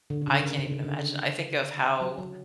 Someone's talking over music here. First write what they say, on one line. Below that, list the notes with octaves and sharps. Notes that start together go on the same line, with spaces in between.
I can't even imagine I think of how
D3
D3
C#3
D#3
D3
C#3
C#3
D3
F#3
F#3